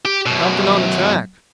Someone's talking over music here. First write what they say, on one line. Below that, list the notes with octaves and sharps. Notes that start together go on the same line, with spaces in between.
Something on the track.
G4
F#2 B2